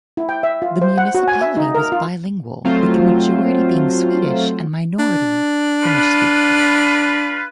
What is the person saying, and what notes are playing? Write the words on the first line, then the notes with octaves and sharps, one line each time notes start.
The municipality was bilingual, with majority being Swedish and minority Finnish speakers.
E4
G5
E5
F4
C5
F#5
F#4
G#5
E5
D#4
A#4
F4
F#3 A3 C4 F4 C5
D4
F4 B4